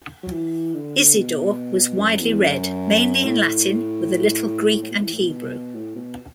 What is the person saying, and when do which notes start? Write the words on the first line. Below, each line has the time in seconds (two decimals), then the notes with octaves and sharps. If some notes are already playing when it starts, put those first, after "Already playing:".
Isidore was widely read, mainly in Latin with a little Greek and Hebrew.
0.23 F#3
0.32 E3
0.74 D3
1.16 B2
1.99 F#2
2.20 E2
2.41 F#2
3.24 A2
4.83 A2
4.91 B2
5.02 E3
5.13 A2
5.22 B2
5.75 A2
5.96 B2